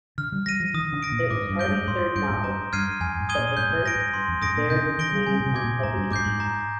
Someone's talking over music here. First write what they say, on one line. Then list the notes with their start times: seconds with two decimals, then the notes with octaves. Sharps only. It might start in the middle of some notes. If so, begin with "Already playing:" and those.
It was Hardy's third novel, but the first to bear his name on publication.
0.18 D3 F6
0.32 G3
0.46 G3 A#6 D#7
0.60 F3
0.74 D#3 D#6
0.93 D3
1.03 A#6 D7
1.12 A#2
1.30 G#2 D6
1.50 G2
1.59 G6 D7 G7
1.68 G2
1.87 G#2 C6
2.16 G2 G6 D7
2.29 G#2
2.44 G2 A#5
2.73 G2 F6 G#6 C7 D#7
3.00 F2 G#5
3.20 G#2
3.29 D#6 G#6 D#7 G7
3.38 A#2
3.57 G#2 G6
3.69 A#2
3.75 G#2
3.86 A#6 D7
3.95 G#2
4.14 G2 C6
4.29 F2
4.41 G#2 D#6 A#6 D7
4.57 A#2
4.70 C3 G6
4.85 D3
4.98 D#3 A#6 D7 G7
5.12 G3
5.27 G3 G#5
5.40 A#2
5.46 C3
5.55 D6 G#6
5.64 A#2
5.83 G#2 A#5
5.97 G2
6.11 G#2 D6 G6 C7
6.26 G#2
6.40 A#5